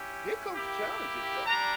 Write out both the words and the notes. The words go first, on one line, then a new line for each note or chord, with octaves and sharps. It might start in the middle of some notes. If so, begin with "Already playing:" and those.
here comes challenges, though.
Already playing: C#4 E4 G4
A#3 E4 G4
G3 D4 A#5